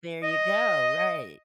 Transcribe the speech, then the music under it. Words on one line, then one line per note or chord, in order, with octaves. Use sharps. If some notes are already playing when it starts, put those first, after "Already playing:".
There ya go. Right.
D#5